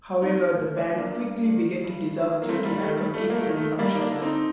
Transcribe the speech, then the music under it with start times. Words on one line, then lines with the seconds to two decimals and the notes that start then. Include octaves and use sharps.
However, the band quickly began to dissolve due to lack of gigs and success.
0.21 C4 D#4
0.55 A2
0.76 D4 F4
0.97 A#3 D4
1.19 G2
1.51 D#3
1.84 G2
2.17 D#3
2.42 A#3
2.48 G2 A3 C4
2.65 G3 A#3
2.76 G3
2.81 D#3 A3
2.97 G3
3.13 G2 A3
3.30 A#3
3.36 A3
3.46 D#3
3.57 A3
3.79 G2 G3 A#3
3.94 D#4
4.00 A#3 D4
4.12 D3
4.22 C4 D#4